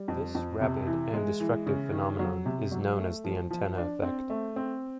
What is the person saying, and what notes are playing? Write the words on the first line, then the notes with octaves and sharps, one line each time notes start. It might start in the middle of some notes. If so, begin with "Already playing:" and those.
This rapid and destructive phenomenon is known as the antenna effect.
Already playing: G3
F2
F2
C3
E3
G#3
E3
C#3
D#3
F#3
C3
F#3
A3
F3
F3
D4
C4
A3
C4